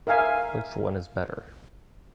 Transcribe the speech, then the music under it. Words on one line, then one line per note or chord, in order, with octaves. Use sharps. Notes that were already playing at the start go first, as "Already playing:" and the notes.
Which one is better?
A#4 E5 F5 G#5